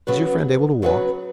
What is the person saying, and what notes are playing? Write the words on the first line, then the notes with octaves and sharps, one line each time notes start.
"Is your friend able to walk?"
C#3 F#3 B3 F#4 B4
C#3 F#3 B3 F#4 B4